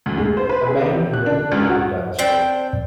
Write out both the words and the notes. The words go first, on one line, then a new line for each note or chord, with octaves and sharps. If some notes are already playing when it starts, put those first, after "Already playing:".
A man and woman walking down the street.
D2
G#3
C5
B4
G#4
C3
F#6
D4
C#2
F#4
C4 D4 G5